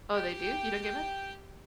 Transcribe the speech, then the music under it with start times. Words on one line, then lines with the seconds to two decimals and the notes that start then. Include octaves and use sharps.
Oh, they do? You don't get mad?
0.13 G4 G5